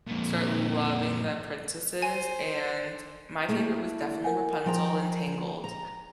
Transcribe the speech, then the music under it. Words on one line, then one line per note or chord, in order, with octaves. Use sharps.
start loving the princesses, and my favorite was definitely Rapunzel in Tangled,
F2 A#2
C5 G#5
A3 A#3 E4
A#4 F#5 G#5
F3 G5 A#5
A#5